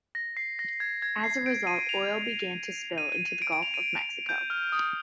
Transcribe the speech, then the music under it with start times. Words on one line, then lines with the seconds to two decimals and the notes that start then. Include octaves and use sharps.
As a result, oil began to spill into the Gulf of Mexico.
0.15 A#6
0.37 C7
0.59 A#6
0.80 G#6
1.02 G#6
1.24 C7
1.46 D7
1.67 D#7
1.89 F7
2.98 D#7
3.13 D#7
3.26 D#7
3.42 D7
3.52 D7
3.63 F7
3.74 D#7
4.29 G6
4.50 F6
4.72 D#6